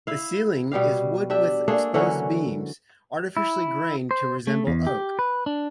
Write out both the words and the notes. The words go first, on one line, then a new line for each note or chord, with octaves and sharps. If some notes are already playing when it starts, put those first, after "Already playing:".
The ceiling is wood with exposed beams artificially grained to resemble oak.
E4 F5
B2 G3 G4 F5
D4 G4 E5
A3 A#3 D4 G#4
D3 E3 F#3 C#4
E4
C5
A3
E2
G4
B4
D4